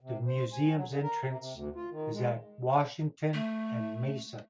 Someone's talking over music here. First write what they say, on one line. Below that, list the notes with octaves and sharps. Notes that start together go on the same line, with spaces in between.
The museum's entrance is at Washington and Mason.
C3
C5
G#5
F#3
D3
A#4
C3
C3
D2
F4
D#3
G#3
A3